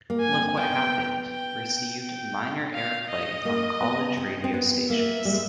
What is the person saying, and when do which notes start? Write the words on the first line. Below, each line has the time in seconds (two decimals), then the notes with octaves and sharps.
"Look What Happened" received minor airplay on college radio stations.
0.10 A#3
0.21 G#5
0.33 C4
0.57 B3 G5
1.29 G5
2.01 G5
2.74 F5
3.09 D#5
3.45 A#3
3.81 B3
4.17 C4
4.44 C4
4.54 B3
4.89 A#3 E5
5.25 G3
5.32 G#3